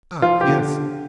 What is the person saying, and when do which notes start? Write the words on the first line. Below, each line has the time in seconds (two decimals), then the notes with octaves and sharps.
Ah, yes!
0.22 F3 F4
0.41 G4
0.48 D3